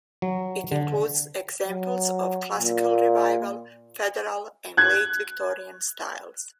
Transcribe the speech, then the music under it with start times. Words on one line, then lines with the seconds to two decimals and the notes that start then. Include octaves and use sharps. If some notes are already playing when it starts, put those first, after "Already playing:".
It includes examples of Classical Revival, Federal, and Late Victorian styles.
0.22 F#3
0.72 D3
1.68 F#3
2.58 A#2
4.77 F#6 G#6